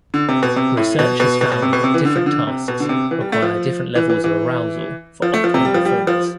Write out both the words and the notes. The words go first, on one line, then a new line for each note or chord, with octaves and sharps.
Research has found that different tasks require different levels of arousal for optimal performance.
D3
C3
B2
C3
A2
B2
B2
B2
B2
C3
B2
C3
E3
D3
F3
D3
C3
B2
D3
C3
E3
G3
A3
F3
E3
E3
E3
F3
A3
F3
C3
G3
F3
G3
F3